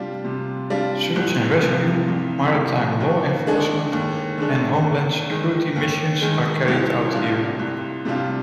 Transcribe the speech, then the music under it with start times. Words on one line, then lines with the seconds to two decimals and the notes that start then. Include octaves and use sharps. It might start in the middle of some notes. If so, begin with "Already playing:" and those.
Search and Rescue, maritime law enforcement, and Homeland Security missions are carried out here.
Already playing: C3 G3 D4 F4
0.24 C3
0.70 G3 D4 F4
1.16 C2
1.62 C3 F3
2.08 C2
2.54 C3 F3
3.00 D#2
3.46 D3 G#3 D4
3.92 D#2
4.38 D3 G#3 D4
4.83 D#2
5.30 D#3 G#3
5.76 D#2
6.22 D#3 G#3
6.68 C2
7.14 C3 G3 D4 F4
7.59 C2
8.05 C3 G3 D4 F4